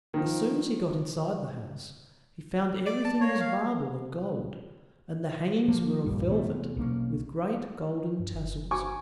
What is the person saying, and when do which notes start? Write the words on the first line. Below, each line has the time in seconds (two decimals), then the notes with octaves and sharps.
As soon as he got inside the house, he found everything was marble and gold; and the hangings were of velvet, with great golden tassels.
0.14 D#3 F3
2.86 D5
3.05 A5
3.21 A#3 C#5
3.40 F5
5.68 F3 A#3
6.04 A#1 G2 G3
6.27 E2 C3 A3
6.77 B1 A#3 C#4
8.20 G2
8.34 F#1
8.71 G#5 C#6 D6